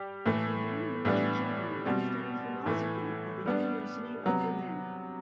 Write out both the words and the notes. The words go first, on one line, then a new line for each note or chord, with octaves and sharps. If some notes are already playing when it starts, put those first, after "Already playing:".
He then moved to Germany, to study philosophy at the University of Berlin.
Already playing: G3 G4
A2 E3 A3
A2 E3 G3 B3 D4
B2 G3 C4
A2 E3 A3
G3 B3 D4
C3 F#3 B3